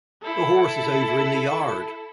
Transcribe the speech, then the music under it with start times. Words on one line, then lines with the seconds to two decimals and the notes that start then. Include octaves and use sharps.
The horse is over in the yard.
0.23 E4 A4